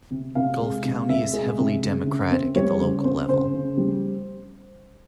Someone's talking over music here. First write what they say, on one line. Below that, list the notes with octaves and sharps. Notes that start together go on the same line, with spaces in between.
Gulf County is heavily Democratic at the local level.
C3
C3 F5
G#3
C3
C3 E5
G#3
C3
C#3
C#3
C4
G3 C#5
C#3 C5
C4 C5
C#3 C5
C#3
G3